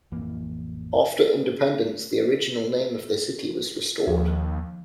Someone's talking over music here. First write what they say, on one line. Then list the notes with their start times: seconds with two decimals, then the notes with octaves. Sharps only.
After independence the original name of the city was restored.
0.12 A1 F2 E3 A#3
4.07 D#2 F3